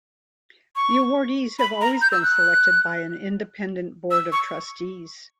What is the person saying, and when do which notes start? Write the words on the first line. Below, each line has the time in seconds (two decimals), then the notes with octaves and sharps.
The awardees have always been selected by an independent Board of Trustees.
0.76 C#6
1.59 B5
1.81 A#5
2.02 G6
2.12 E6
2.23 F#6
4.11 E6
4.32 C#6